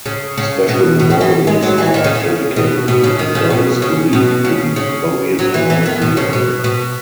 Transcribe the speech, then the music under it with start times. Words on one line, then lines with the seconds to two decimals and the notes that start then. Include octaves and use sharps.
Special memorials are dedicated to those believed to be buried among the unknown.
0.06 C#3
0.38 C#3
0.69 B2
1.00 B2
1.10 C#3
1.21 E3
1.47 G#3
1.63 F#3
1.78 E3
1.94 D#3
2.04 C#3
2.15 C#3
2.56 B2
2.88 B2
3.04 C#3
3.19 D#3
3.35 C#3
3.50 B2
3.82 C#3
4.13 B2
4.45 C#3
4.76 C#3
5.39 F#3
5.54 E3
5.70 E3
5.86 D#3
6.02 B2
6.17 C#3
6.33 B2
6.64 B2